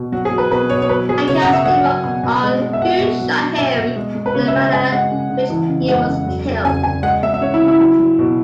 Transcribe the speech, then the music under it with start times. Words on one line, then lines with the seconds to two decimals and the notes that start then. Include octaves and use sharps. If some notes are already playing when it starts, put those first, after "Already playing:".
Accounts differ on who shot him and the manner in which he was killed.
Already playing: B2
0.12 F#3 F#4
0.25 G#4
0.31 F#3
0.38 B4
0.51 B2 B4
0.70 B2 C#5
0.82 C#5
0.89 F#3 B4
1.09 F#3 G#4
1.28 C#3 C#5
1.42 C#3 F#5
1.53 E5
1.65 F#3 F#5
1.77 F#5
1.85 F#3 G#5
2.05 B2
2.23 B2
2.43 G#3
2.62 G#3
2.73 E5
2.82 B2 F#5
3.00 B2
3.20 F#3
3.39 F#3
3.58 B2 E5
3.77 B2
3.96 G#3
4.15 G#3
4.26 B4
4.35 C#3 C#5
4.48 E5
4.54 C#3
4.60 E5
4.72 G#3 G#5
4.92 G#3 F#5
5.11 C#3
5.30 C#3
5.50 E3
5.69 C#3
5.88 G#3 F#5
6.07 C#3
6.27 F#3
6.46 F#3
6.65 C#3 G#5
6.83 C#3 G#5
7.03 G#3 F#5
7.23 G#3 E5
7.34 E5
7.41 C#3 C#5
7.54 E4
7.61 C#3
7.68 E4
7.80 F#3 E4
8.00 F#3
8.19 B2